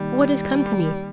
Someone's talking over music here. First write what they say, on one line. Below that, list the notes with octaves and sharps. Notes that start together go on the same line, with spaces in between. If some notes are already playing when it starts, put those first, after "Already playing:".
What is come to me!
Already playing: D#3 G3 A#3 D#4